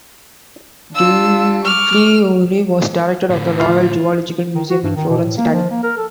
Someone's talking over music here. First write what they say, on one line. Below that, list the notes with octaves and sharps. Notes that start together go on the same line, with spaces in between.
Giglioli was director of the Royal Zoological Museum in Florence, Italy.
D4 F4 E6
C#6 D6 F6
A2 D3
F4
D#3
F#4
G2
D#3
B2
A2
A#3
F3
A#3
A#4
A4